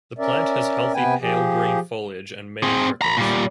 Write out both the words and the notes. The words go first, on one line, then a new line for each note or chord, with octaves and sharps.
The plant has healthy pale green foliage and many prickles.
C#4 A#4 D5 E5
C3 B3 B4 G5 G#5
F3 G4 G#4
C4 G#4
A#5 B5
A#2 G3